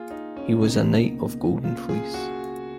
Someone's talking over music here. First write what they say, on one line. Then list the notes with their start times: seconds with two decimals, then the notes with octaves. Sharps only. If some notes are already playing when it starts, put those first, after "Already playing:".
He was a Knight of Golden Fleece.
Already playing: A#3 F4 G#4
0.10 D#4
0.37 C#4
0.61 C#2 B2 A#3 D#4
1.64 F4
1.89 G#4
2.14 F#4